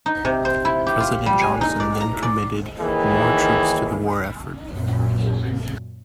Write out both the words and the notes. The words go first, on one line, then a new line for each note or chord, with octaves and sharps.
President Johnson then committed more troops to the war effort.
D#4
C3
C5
E4
G4
F4
G3
G#5
D#4
D5
A#5
D5
D#2 D#3 E3 G#4
F#2 A#2